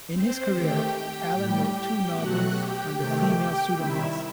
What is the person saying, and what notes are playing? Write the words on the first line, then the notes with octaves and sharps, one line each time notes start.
In his career, Allen wrote two novels under female pseudonyms.
C4 C5
D#3 A3 G4 G5
G4 G5
A2 G3
G4 G5
B2 F#3 A3 F#4 F#5
G4 G5
C3 D#3 A3 G4 G5
G4 G5
C3 D#3 G3 E4 E5